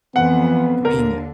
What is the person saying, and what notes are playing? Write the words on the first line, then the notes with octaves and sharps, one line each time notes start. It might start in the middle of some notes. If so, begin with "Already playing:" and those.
you're being
F2 E3 B3 F#5
D#2 D3 A#4